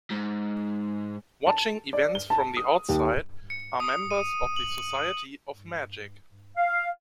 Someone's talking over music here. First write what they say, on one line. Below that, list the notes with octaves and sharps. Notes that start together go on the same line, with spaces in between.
Watching events from the outside are members of the Society of Magic.
G#2
A5
D5
G7
A5
D#6
D#2
C#7
D#6
D#7
F#7
F5